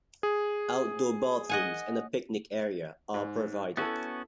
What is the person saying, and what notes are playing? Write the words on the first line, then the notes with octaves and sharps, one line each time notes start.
Outdoor bathrooms and a picnic area are provided.
G#4
D#5 F#5 G#5
G#2
B3 C#4 E4 F#4 A4